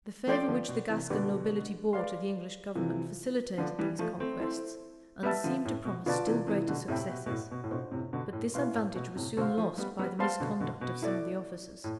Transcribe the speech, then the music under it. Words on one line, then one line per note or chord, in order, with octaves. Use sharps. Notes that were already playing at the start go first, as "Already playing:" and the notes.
The favor which the Gascon nobility bore to the English government facilitated these conquests, and seemed to promise still greater successes; but this advantage was soon lost by the misconduct of some of the officers.
F3 A3 A4 D5 G5 C6
D3 F3
B2
C3 E3
B2 D3 D4 G4 B4 D5
B4 D5 F5 C6
C3 E3 F4 A4 C5
D3 F3 B4 D5 A5
E3 G3
F3 A3
A3 C4
E4 A4 C5
G3 B3 B4 E5 A5
D3 F3
A2
B2
B2 D3 F4 B4 D5 A5
C3 E3
C3 E3
E3
B2 D3
A2 C3 G4 C5 E5 G5 B5
B2
B2
A2
B2
A2
B2 D4 F4 A4 C5
A2 C3
B2 D3
A2
B2 E4 B4 F5 C6
A2
B2
A2 C3
B2 D3 A4 C5 F5
F3 A3
G3 B3
G3 B3
G3 B3 C5 F5 A5 C6
B2 D3
B2 D3
B2
E4 A4 D5
A2